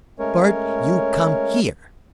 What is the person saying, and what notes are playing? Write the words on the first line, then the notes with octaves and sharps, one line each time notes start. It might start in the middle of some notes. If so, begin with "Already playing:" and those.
"Bart, you come here!"
G#3 A3 C#4 A#4 C#5